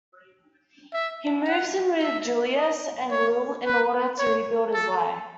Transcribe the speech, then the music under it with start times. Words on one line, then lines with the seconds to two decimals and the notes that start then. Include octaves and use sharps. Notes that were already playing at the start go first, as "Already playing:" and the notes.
He moves in with Julius and Lil in order to rebuild his life.
0.93 E5
1.48 F#5
2.02 E5
2.56 D#5
3.10 C#5
3.65 B4
4.18 C#5
4.73 A4